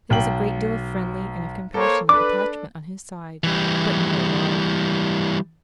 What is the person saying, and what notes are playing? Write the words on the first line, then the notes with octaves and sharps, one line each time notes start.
There was a great deal of friendly and of compassionate attachment on his side--but no love.
B1 G5 F#7
A#3 A4 C5 C#5
D4 A4 B4 D6
E3 G3